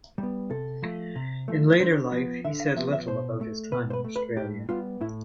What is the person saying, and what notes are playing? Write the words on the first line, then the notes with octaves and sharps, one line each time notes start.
In later life he said little about his time in Australia.
G3 B3
C3 A4
F3 A3
C3
F3 A3
D3 C5
F3 B3
D3 E5
F5
F3 B3 E5
E5
B2 C5
A3
B2 B4
C5
B4
A3
B4
A2 G4
G3 B3 F4
A2 E4